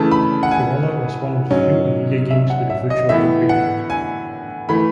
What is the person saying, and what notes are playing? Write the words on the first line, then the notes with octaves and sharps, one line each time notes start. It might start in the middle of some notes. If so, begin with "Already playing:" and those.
Coala was one of the few Amiga games with a virtual cockpit mode.
Already playing: C#3 E3 A3 A5
B5
F#5
G#5
G#2 F#3 C#4
E5
F#5
E5
D#5
A2 E3 B3 E5
F#5
G#5
E3 A3 B5